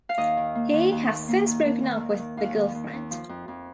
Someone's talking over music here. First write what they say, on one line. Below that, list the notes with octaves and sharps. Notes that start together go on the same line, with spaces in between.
He has since broken up with the girlfriend.
F5
D#2 D#5
D#3
A#3
D#2
D#2
D#2
A#3
D#3
A#3
D#2
D#3
D#3
D#2 F5
D#2
D#2
D#2
F3
F2
F2